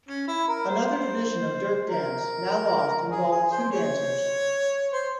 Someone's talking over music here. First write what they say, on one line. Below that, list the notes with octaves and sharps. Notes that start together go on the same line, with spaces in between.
Another tradition of dirk dance, now lost, involved two dancers.
C#4
E4
A#4
C5
A#4
G#4
G#4
C5
C#5
C5